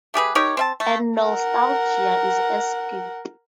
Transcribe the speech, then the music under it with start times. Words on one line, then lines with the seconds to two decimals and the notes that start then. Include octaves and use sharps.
And nostalgia is escape.
0.14 A3 G4 G#4 B4
0.35 D#4 G4 A#4 C#5
0.57 C4 E5 A5
0.80 A3
1.19 A#4 F#5